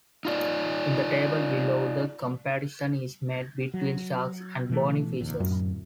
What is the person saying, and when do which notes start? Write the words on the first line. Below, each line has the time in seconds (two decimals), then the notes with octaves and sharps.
In the table below, the comparison is made between sharks and bony fishes.
0.25 D#4 F4 D5
3.74 F#3
4.69 B2 E3 A3
5.20 F1 A#1 D#2
5.40 D1 F#2